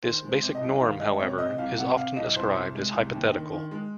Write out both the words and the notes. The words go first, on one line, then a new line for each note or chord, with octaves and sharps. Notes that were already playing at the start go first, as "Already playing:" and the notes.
This "basic norm", however, is often ascribed as hypothetical.
D#3 C5
G#3
C5
C3
D#5
C2
D#3 F5
G#3 D#5
C3 C#5
C3 D#5
C2 F5
C3 F#5
C3 F5
C2 D#5
C2 C5
C2
G#3
C2
D#2
D#3
D#3
G#3